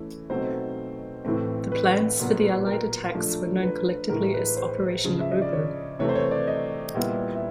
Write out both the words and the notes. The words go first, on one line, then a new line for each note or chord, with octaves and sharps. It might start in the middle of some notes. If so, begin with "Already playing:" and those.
The plans for the Allied attacks were known collectively as Operation Oboe.
Already playing: E3 A3 C#4 E4
B2 F#3 A3 C4 D#4 C5
A2 E3 A3 C4
B4
A#2 F#3 B3
A#4
F3 A3 D4
B4
A2 E3 G#3 A#4
B4
C5
C#3 F3 G#3
E5
D#5
D5
C#5
C3 E3 A3 C#5
C5
C#5
D5
D#5
A#2 G3 B3 E4
E5